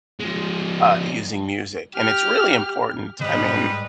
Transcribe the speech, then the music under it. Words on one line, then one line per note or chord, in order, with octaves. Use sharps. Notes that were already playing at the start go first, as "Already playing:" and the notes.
uh, using music. And it's really important, I mean
F3 G#3
G4 F6
D2 G#2 G3 B4 D#5